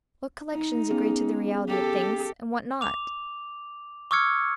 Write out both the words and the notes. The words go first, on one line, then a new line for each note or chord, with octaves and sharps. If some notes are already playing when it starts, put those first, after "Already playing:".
What collections agree to the reality of things, and what not?
D#4
B3 C#4 G#4
G4 A4
D6 F7
C#6 D6 E6 F6 G#6 C#7